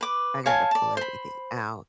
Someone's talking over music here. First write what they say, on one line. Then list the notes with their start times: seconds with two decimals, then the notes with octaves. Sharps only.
I got to pull everything out.
0.01 B4 D6
0.46 C#5 F5 G#5 A5
0.71 D5 A5
0.97 C5 B5